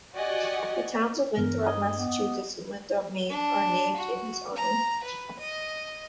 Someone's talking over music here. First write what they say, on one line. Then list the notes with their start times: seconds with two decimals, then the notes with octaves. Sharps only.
The towns of Winthrop, Massachusetts and Winthrop, Maine are named in his honor.
0.14 F#4 G4 D5 D#5 F#5 G#5
1.37 G2 E3 B3 A#4
1.66 D#5 G#6
1.98 B3 G5 D6 D#6
3.30 D4
3.96 F#4
4.56 A#5
5.04 B4
5.39 D#5